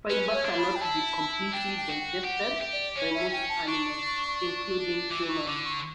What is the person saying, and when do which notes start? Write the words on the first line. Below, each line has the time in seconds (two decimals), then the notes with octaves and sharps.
Fiber cannot be completely digested by most animals, including humans.
0.09 C#4 B4
0.33 C#5
0.45 D4
0.58 B5
0.76 G5
0.81 E4 A5
1.52 D4 G5
1.77 G5
1.89 F#4
2.00 G5
2.24 G4 F#5
2.48 E5
2.61 G4
2.73 D5
2.96 C#4 C#5
3.15 E5
3.32 G5
3.49 A5
3.67 D4 C#6
5.11 E3 D6
5.29 C#6
5.47 D3 D6
5.65 C#6